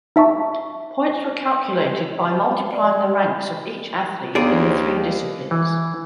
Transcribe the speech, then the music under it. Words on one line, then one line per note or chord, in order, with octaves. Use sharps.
Points were calculated by multiplying the ranks of each athlete in the three disciplines.
D#4 E5 A5 C#6
D5
D#2 B3 D4 G#4 D5
E3